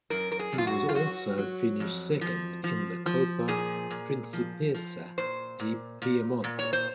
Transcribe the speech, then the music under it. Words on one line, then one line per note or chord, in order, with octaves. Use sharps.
He was also finish second in the Coppa Principessa di Piemonte.
F#2 A#4
A#4
G#4
F#2
F4
F#4
F4
F#3 F#4
F#3
F2
F3
F3
F3
A#2 G#4
A#2
F3
F3
A#2 C5
A#2
A#2
A#2
C#5
C5